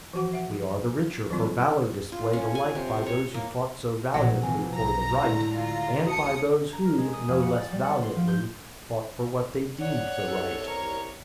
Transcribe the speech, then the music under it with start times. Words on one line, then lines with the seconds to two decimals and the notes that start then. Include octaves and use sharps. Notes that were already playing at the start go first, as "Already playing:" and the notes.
We are the richer for valor displayed alike by those who fought so valiantly for the right, and by those who, no less valiantly, fought for what they deemed the right.
0.13 E3 F3 F#4 F#5
0.33 E5 F#5
1.30 E3 F#3 G3 C4 F4
2.12 F4
2.33 C#4
2.55 G#5
2.75 C3
3.06 C#5
3.34 A#3
4.14 A#1 B2 F#3 F#5 G5
4.43 C3 E3 F3 G#5
4.75 B1 A#5
5.23 A2 D3 G#3 E4
5.56 F4 A#5
6.07 D2 F#4 A5 D#6 C#7
6.73 A#5
6.85 A#4
6.98 G#3
7.13 D#6
7.28 F2
7.42 F#5
7.58 A6
7.72 G3
7.84 F#5
8.03 C6
8.16 F3
8.28 G6
9.81 C#5 D5 F#5
10.24 C2 A4
10.68 A#4 C#6